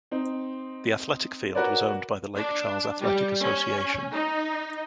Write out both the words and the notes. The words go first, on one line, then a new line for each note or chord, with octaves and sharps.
The Athletic Field was owned by the Lake Charles Athletic Association.
C4 D#4
F#4 A#4 B4 C#5 D5
D4
G3
C#4
D#4